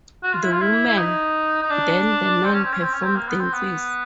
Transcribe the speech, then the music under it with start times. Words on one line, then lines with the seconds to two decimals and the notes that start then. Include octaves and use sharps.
The women, then the men, perform dances.
0.24 F#4
0.33 F4
0.43 E4
0.52 F4
0.61 E4
0.88 E4
0.98 D#4
1.63 D#4
1.71 D4
2.44 C4
2.54 C#4
2.64 C4
2.73 C#4
2.83 C4
2.94 C#4
3.03 C4
3.16 A#3
3.29 B3
3.41 C4
3.53 B3